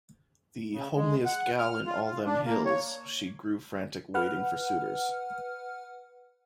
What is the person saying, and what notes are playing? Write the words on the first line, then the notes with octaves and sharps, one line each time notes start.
The "homeliest gal in all them hills," she grew frantic waiting for suitors.
C#3
G#3
F#5
F6
F4
F4
D4
A#3
C#5
B4 F#5 F6